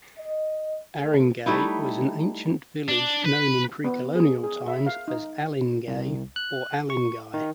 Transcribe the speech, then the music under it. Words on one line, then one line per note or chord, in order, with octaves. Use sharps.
Aringay was an ancient village known in pre-colonial times as "Alingay" or "Alinguey".
D#5
A3
G3 A3 D#4 E4
D4
B4
B3
G#4
G#4
E5
F5
D#4
C2
F#6
C#6
D#3